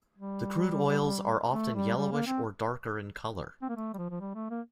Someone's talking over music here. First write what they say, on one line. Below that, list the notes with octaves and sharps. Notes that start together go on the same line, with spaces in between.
The crude oils are often yellowish or darker in colour.
G3
A3
G3
G3
A#3
C4
C4
A#3
A3
G3
F3
F3
G3
A3
A#3